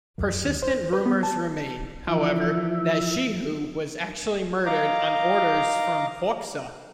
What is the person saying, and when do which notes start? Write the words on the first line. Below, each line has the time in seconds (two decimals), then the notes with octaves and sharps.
Persistent rumors remain, however, that Shehu was actually murdered on orders from Hoxha.
0.18 F#2
0.44 D#2
0.62 C5
0.93 B4
1.06 B3
1.23 A5
2.07 E3 F3 E5
4.66 D#5 F5 A#5 D6